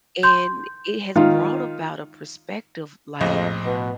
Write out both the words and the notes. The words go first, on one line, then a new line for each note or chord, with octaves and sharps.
And it has brought about a perspective like,
C6 G6
D#3 F4
A#1 F2 A2 F3 C#4 D#5
B2 B4